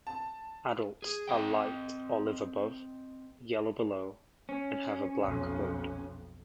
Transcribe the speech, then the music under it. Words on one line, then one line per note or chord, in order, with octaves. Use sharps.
Adults are light olive above, yellow below and have a black hood.
A5
G#4
C4 D#5 G5
C#4
B1 F2